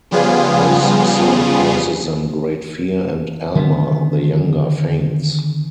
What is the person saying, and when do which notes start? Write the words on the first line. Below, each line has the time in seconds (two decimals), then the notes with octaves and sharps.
This sight causes them great fear and Alma the Younger faints.
0.11 C#3 F3 G3 B3 F4 G#4
3.55 D3 D#3 B3